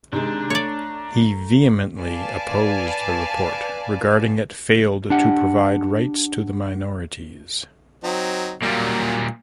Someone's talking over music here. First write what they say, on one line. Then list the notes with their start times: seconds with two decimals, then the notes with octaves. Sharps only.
He vehemently opposed the report regarding it failed to provide rights to the minorities.
0.13 C3 D#3 G#3 D4 A#5
0.50 A3 C#5 D5
2.02 B4 D5 F5 G#5 A5
5.10 D4 G4 F#5
8.04 F#3 C4 D#4
8.62 A#2 F#3 G3 A#3